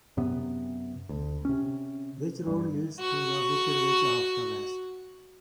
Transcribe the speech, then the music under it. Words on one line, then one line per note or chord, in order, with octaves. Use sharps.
Which road leads to the Wicked Witch of the West?
F#2 C3 B3
D2
C3 C#4
G2 G3
F#4 C#6